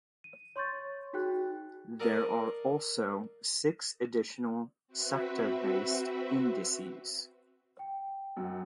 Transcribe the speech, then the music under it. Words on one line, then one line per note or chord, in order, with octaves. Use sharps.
There are also six additional sector-based indices.
D#7
C#5 C6 C#6 G6 A6
D#4 F#4 G#4 G5 F#6
A4 A#4 D5 D#5 F5 A5
C4 F#4 B4 E5
G5
F#2